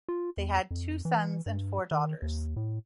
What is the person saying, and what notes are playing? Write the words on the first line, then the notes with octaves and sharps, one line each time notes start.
They had two sons and four daughters.
F4
E2
F2
E3
G2
D#3
D#2
A2